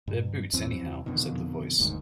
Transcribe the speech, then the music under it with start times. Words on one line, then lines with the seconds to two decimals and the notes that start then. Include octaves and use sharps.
"They're boots, anyhow," said the Voice.
0.08 G2
0.53 E2 E3 C4
1.06 F2 B2 D3 D#3
1.79 F#1 D2 G#2 D#3